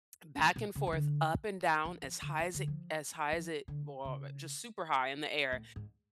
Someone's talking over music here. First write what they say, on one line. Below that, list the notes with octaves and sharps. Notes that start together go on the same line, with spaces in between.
back and forth, up and down, as high as it as high as it well, but just super high in the air.
A2
B2
C#3
F3
D3
F3
F3
D3
F3
D3
F3
F3
D3
C#3
A2
G#2